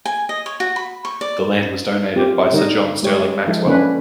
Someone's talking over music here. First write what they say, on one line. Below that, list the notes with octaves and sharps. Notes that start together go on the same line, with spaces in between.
The land was donated by Sir John Stirling-Maxwell.
G#5
D#5
C#5
F#4
B5
C#6
D5
C4 F4 G4
D3 G3 D#4 A#4
G#3 G4 C#5
F3 G#3 E4 A4
D3 A#3 C#4 D4 B4